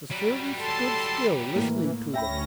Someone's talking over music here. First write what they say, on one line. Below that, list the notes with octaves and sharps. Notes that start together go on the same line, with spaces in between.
The servant stood still listening to them.
F#3 G3
A4 A5 C6
A2 E3 A#3
D2 C#4 E5 G5 B5 A#6